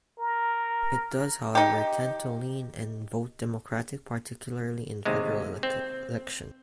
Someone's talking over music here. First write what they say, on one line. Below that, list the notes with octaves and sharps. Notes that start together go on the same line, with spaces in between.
It does however, tend to lean and vote Democratic particularly in federal elections.
A#4
D#4 G4
D#2 C3 G#3
C4